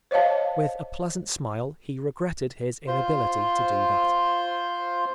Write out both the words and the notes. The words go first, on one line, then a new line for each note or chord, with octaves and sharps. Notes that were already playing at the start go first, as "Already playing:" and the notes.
With a pleasant smile he regretted his inability to do that.
C5 C#5 D#5 F5 A5
F4 C5 C6